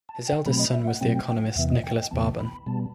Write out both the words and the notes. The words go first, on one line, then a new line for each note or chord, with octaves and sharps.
His eldest son was the economist Nicholas Barbon.
A5
G5
B2 F#3 A3 C4 B5
D#5
E5
F#5
B2 F#3 A3 C4 G5
F#5
E2 C3 E3 B3 E5
D#5
G5
G5
E2 C3 E3 B3 A5
B5
B2 G3 B3 A5